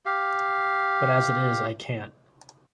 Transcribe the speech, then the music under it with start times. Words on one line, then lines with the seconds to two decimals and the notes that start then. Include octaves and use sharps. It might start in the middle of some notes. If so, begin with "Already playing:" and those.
But as it is I can’t.
0.06 G4 F5